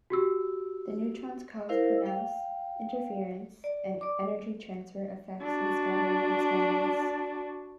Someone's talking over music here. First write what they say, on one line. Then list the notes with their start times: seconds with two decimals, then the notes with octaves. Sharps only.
The neutrons cause pronounced interference and energy transfer effects in scattering experiments.
0.10 F#4 G4 E6
1.69 E4 A#4 C5 F5 E6
2.06 F5 G5
3.64 D5
4.01 D5 D6
5.42 D4 F#4